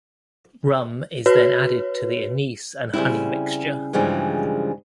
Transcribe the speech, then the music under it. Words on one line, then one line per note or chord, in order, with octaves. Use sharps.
Rum is then added to the anise and honey mixture.
F#4 B4 C#5
C#3 G3 C4 E4
G2 C#3 E3 F3 G3 G#3